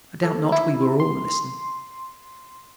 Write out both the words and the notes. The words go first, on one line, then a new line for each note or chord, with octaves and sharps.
I doubt not we were all listening.
A4
E4
C6